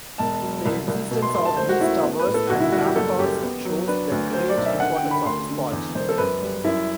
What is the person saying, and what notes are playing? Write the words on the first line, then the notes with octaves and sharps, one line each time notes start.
The existence of these towers and ramparts shows the great importance of this part.
E1 A5
F#3
C2
C2
B2
C6
E1 C6
A5
A3 C5
F#4
A3 E4
B3
B4
A2
A4
B1 F#4
E4
G3 F#4
G4
F#1 A4
F#2 G4
B3
F#3
D4 B4
D2
F#3 C5
D5
B1
E5
D3 F#5
G5
D3
B5
D2 C6
D3
E2
E1 C5
A4
F#2 B4
G3
F#2 E4